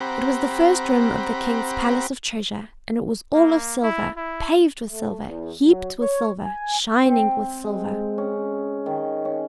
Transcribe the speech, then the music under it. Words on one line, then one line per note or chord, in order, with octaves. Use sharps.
It was the first room of the King's palace of treasure; and it was all of silver, paved with silver, heaped with silver, shining with silver.
C4 G4 F#5 A#5 B5
A#3
E4
E4
A3
E2
F#3
C#5
G#5
C4
G#3
C#4
D#3
C#4